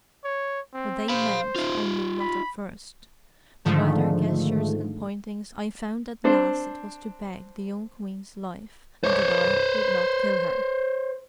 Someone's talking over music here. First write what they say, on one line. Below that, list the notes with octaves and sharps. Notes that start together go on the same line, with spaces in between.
What they meant, I knew not at first; but by their gestures and pointings I found at last it was to beg the young queen's life, and that I would not kill her.
C#5
C4
C5 F5 B5
D#4 F4
B5
G#2 D3 D#3 F3 A3
C4 D4 C5
C5 C#5